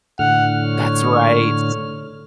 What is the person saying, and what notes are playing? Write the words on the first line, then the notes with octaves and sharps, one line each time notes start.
That's right.
A2 D3 F#5 F6
C#5